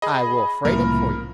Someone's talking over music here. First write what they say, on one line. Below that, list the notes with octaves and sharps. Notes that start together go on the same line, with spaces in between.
"I will freight it for you."
G#4 D#5 B5
C2 A2 C#3 F3 A#3 E4 A#4